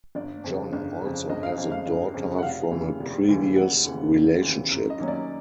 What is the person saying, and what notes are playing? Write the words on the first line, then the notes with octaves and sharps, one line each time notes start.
John also has a daughter from a previous relationship.
G1 D5
F2 C#3
G1
F2 C#3
G1 D#5
F5
F2 C#3
F5
G1
F2 C#3
F#5
F1 F5
D#2 C#3 E3
F1
D#2 C#3 E3
F1 F#5
D#2 C#3 E3
F1
D#2 C#3 E3
F#2
D#5
D#3 F#3 A#3 C#4
D5